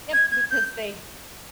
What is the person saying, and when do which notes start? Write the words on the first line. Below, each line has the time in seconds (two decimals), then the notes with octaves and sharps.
Yep, because they h
0.13 G#6
0.31 G#6
0.51 G6